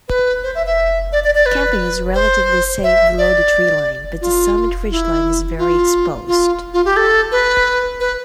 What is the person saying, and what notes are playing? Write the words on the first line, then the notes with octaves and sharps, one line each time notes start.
Camping is relatively safe below the treeline but the summit ridgeline is very exposed.
B4
C5
E5
E5
D5
D5
D5
B4
C5
E5
D5
F4
E4
F4
F4
F4
G4
A4
B4
B4